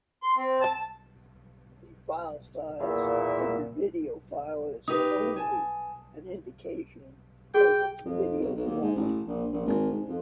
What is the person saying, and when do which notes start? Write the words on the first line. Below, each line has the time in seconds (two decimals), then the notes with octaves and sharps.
The filesize of a video file is only an indication of its video quality.
0.23 C6
0.36 C4
0.61 A5
2.80 E2 A#2 E5
4.88 D#4 G4 B4 D#6
5.36 G#5 A5
7.54 F#4 G#4 G5
8.05 F2
8.39 B1
8.55 B1
8.67 D#2
8.81 G#2
8.96 A1
9.27 A#1
9.52 A#1
9.65 G#1
9.91 G#2
10.08 F2